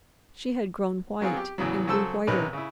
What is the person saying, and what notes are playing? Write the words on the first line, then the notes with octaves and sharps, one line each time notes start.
She had grown white, and grew whiter.
F#3 B3 C4 F4 G#4
G4
E2 A2 C#3 E3 F#3
C#3 F#3 A4 C5 A5 E6
B1 C3 C#4 D#4 A#4 B4
C#3 E4